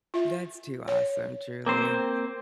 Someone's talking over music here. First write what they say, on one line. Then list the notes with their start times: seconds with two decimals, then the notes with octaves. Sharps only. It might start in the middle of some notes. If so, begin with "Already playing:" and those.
That's too awesome, truly.
0.14 F4 E5
0.88 C#5
1.66 A#3 C4 C5